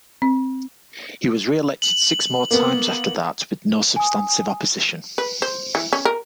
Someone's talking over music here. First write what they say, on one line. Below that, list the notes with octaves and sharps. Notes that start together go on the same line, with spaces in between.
He was reelected six more times after that with no substantive opposition.
C4
F#7
A#3 B3
G#5 D#6
B4
C5
E3
C#4
A#4